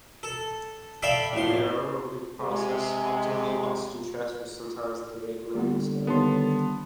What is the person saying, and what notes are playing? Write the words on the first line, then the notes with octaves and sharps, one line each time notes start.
In an aerobic process, optimal oxygen transfer is sometimes the rate limiting step.
A4
A4 D5 E5 F5 G5 B5
A#1 A2 C6
C3 G#3
D3 G3 A#3 B3 F#5
D#3 G3 A#3 B3 C#5 A5 C6